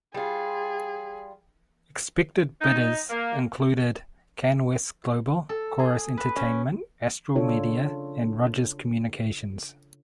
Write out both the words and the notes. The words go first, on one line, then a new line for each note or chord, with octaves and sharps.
Expected bidders included Canwest Global, Corus Entertainment, Astral Media, and Rogers Communications.
G3 F4 G#4
D#4
A#3
A4
G#4
B4
C#4
C#3 D4 F4 A4 C#5